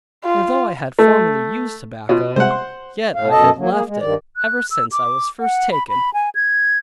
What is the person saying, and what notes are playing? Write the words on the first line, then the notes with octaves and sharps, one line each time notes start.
For though I had formerly used tobacco, yet I had left it ever since I was first taken.
F4
A3
B2 F4 C#5
C3 G3 G#3 C5 F#5
C6
A2 F5
F#2 B2 A4 D#5 A5
F#3 A#3
A#3 G#4
G#3
G2 D#3 D5
F#6
E6
D6
F#5
B5
B5
G#5
G#6